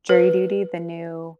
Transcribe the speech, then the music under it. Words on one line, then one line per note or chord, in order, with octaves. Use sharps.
Jury Duty, the new
B4